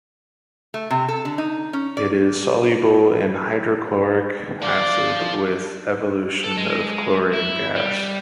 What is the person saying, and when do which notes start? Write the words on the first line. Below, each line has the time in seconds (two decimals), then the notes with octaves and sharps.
It is soluble in hydrochloric acid with evolution of chlorine gas.
0.74 A3
0.91 C3
1.08 A4
1.25 D3
1.38 D#4
1.73 C#4
1.97 D5
4.62 F3 D5 F5
6.44 A4
6.57 G#3
7.33 E4
7.75 G3